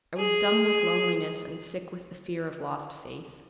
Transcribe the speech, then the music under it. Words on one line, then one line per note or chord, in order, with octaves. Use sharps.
I was dumb with loneliness and sick with the fear of lost faith.
G#4